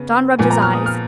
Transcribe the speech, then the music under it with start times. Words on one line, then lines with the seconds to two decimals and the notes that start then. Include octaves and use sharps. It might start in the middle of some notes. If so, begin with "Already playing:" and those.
John rubbed his eyes.
Already playing: C#3 B3
0.39 A#2 F3 B3 G#5
0.51 A#5
0.62 F6
0.74 D#6
0.86 F6